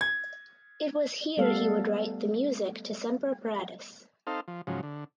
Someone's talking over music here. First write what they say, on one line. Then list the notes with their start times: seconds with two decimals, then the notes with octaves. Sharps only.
It was here he would write the music to "Semper Paratus".
0.01 G#6
1.37 G3 A3 B3 A4 F5
4.27 C4 D#4 A4 F5
4.48 F3
4.67 G#2 C#3 F3 F#3
4.83 D3